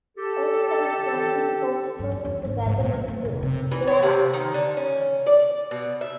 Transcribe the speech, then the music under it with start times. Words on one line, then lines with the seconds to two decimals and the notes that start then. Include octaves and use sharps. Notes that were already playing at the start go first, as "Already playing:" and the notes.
Oscar is dancing foxtrot together with Clara.
0.17 G4 A4
1.99 G2
2.12 F#1
2.25 E2
2.45 G#1
2.66 G#2
2.80 A#2
2.93 B1
3.08 A3
3.25 F1
3.43 C3
3.71 E3
3.87 C#5
4.03 C3
4.33 D#3
4.54 D3
4.77 C#4
5.26 D5
5.71 B2
6.01 E5